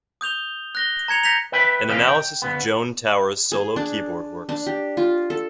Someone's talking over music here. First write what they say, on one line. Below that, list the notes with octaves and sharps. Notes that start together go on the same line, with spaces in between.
An analysis of Joan Tower's solo keyboard works.
D#6 G6 F7 G7
F#6 A#6 G7
A#5 G#6 C#7 F7
G6 A#6 B6 C#7 F7
B4 E5 G5 B5
C3 E3 C#4 G4 D#5 F5
G5
D2 C#3 B3
G#4
D4
D4
G4
F4
A4